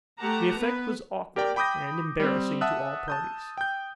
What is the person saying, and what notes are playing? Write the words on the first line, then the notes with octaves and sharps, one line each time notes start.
The effect was awkward and embarrassing to all parties.
A3 G4 F#5 A5 A#5
B3 B4
G4 A#4 D5 G5
G5 B5 D6 D#6 G6 A#6
G3 C4
E5 F#5 A5 D#6 E6 F#6
A5 D#6 G6
G5 G6